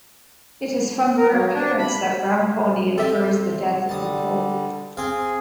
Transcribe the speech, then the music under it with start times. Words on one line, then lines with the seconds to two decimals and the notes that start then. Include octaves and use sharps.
It is from her appearance that Brownpony infers the death of the Pope.
1.17 A#4
1.32 F#3
1.54 D4
1.79 B5
2.98 C4 G4 A4 E5
3.89 D3 G3 A5 D#6
4.97 C4 G#4 F5 G#5